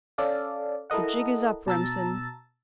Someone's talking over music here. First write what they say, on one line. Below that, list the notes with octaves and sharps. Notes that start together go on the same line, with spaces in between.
The jig is up, Remsen.
C#4 A4 D5 F5
E4 A4 A#4 D#5 F#5
B2 A5 A#5 E6 A6